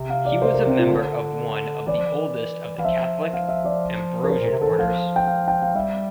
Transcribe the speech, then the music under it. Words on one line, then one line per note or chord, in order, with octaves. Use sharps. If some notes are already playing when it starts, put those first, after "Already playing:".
He was a member of one of the oldest of the Catholic Ambrosian orders.
Already playing: C3
F5
D5
C5
A#4
C4
F4
C3
D3
E3 D5
F3
E3
E3 F5
F3 E5
F5
E5
D5
A#4
C5
A#2
A#4
C3
D3 A4
E3
F3 F5
G5
F5
G5
F5
G3 E5